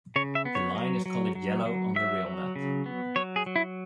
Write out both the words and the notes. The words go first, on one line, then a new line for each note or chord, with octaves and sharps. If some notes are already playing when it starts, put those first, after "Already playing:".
The line is coloured yellow on the rail map.
C#3 C#5
E5
B3
C#5
F#3
F#3
F#3
F#3
F#3 E5
F#3
C#3
B3
F#3 C#5
G#4
F#3
E4